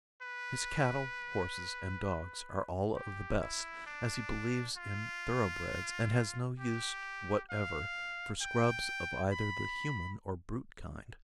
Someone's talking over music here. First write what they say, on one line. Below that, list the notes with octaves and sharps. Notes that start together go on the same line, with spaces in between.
His cattle, horses and dogs are all of the best, as he believes in thoroughbreds and has no use whatever for scrubs of either the human or brute kind.
B4
G4
E4
D4
F4
G4
F5
G5
B5